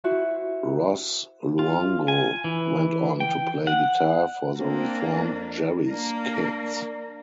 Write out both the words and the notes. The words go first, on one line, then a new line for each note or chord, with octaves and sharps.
Ross Luongo went on to play guitar for the reformed Jerry's Kids.
E4 F#4 C5
F4
G#5
E3
G5
F#5
A#3 C4 D4
F2
A#3 D4 A#4